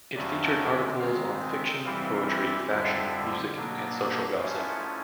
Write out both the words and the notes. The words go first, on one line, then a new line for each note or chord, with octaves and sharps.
It featured articles on fiction, poetry, fashion, music, and social gossip.
F2 D3 F#3 A3 C#4 D5
D#5
E5
D#3 G#3 C4 F5
E5
E3 G3 C4 E4 F5
F5
E5
F2 D3 G3 E5
B2 F#3 A#3 D4
G#2 F3 A3 C#4 E4 F5
F#5